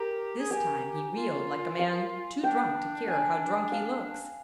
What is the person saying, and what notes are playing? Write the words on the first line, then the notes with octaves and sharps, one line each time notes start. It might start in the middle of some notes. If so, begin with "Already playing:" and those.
This time he reeled like a man too drunk to care how drunk he looks.
Already playing: G4 A#4 A#5
G#4
G4 G#5
F4
F5
D4 G5
G#5
F5